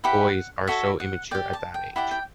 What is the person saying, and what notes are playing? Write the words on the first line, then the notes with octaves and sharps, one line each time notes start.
Boys are so immature at that age.
E4 G4 B4 F#5
F#4 A4 C#5 E5
F#5
G4 D5 G5
A5
G5
E4 G4 D5 F#5
G5